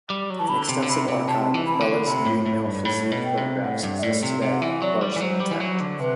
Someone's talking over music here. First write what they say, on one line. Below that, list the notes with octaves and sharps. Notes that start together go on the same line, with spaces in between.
An extensive archive of Bellas' nude male physique photographs exists today, largely intact.
G3
F#3
E3 A5
D3 B5
C3
D3
C3 B5
C3
C3 A5
E3
B5
C3
D3
C3 B5
A2
A2
G2
A2 B5
B2
G5
C3
A2 F#5
G2
E5
A2 D5
C3
C3 E5
F#5
E3 E5
F#3 D5
G3
E3
F#3 C5
G3
E3
F#3
D3
C3 B4